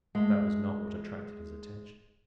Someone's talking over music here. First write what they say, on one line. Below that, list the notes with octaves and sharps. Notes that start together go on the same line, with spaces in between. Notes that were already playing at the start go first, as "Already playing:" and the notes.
But that was not what attracted his attention.
G#3 A3